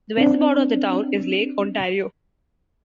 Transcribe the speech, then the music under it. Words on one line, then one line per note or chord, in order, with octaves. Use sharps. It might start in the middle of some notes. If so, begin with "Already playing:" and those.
The west border of the town is Lake Ontario.
C4 D4